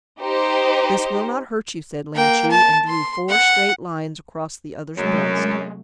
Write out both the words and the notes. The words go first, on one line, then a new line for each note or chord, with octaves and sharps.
"This will not hurt you," said Ling Chu, and drew four straight lines across the other's breast.
D#4 G4 C5
A#3 G5
A5
C6
F#5
F#2 C3 F#3 G#3 A3 C#5